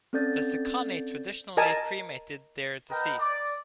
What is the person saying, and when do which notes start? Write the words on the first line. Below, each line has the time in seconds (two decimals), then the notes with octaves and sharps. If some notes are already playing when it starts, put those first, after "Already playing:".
The Sekani traditionally cremated their deceased.
0.13 C4 C#4 A4 D5 G6 A6
1.57 A#4 D#5 G#5 A5
2.90 B3 A#4 B4 D#5 G5
3.19 D5 D6